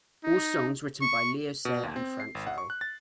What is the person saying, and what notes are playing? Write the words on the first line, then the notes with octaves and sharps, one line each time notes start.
All songs written by Leo Sayer and Frank Farrell.
D#4
C#6
B2
D#2
C4
C7
G#1
F#5
C#6
F#6
A6